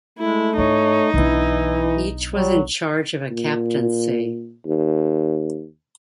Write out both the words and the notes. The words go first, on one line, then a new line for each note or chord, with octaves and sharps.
Each was in charge of a captaincy.
G#3 A3 E4
G#2 D#4 E4 C#5
B1 E3 D4 E4
F#3 G3
A#2
D#2